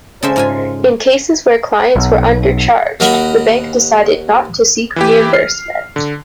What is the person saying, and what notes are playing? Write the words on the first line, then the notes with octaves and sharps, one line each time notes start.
In cases where clients were undercharged, the bank decided not to seek reimbursement.
C#3 G#3 A4 C5 E5
G#2 F4 G#5
B1
D#2 F#4 A#4 D#5 F#5 B5
E3 E4 G4
F6 C7
D3